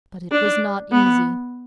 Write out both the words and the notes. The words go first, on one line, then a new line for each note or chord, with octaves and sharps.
But it was not easy.
D4
B3